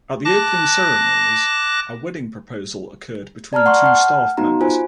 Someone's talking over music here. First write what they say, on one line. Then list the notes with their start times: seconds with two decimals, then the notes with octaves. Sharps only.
At the opening ceremonies a wedding proposal occurred between two staff members.
0.25 A5 D6 F#6 A#6
3.53 D5 A5 A#5 F6
3.66 F#5 C6 C#6
3.82 F#5 A5 F6
4.37 B3 D#4 F#4 A#5
4.61 F4 C5 G#5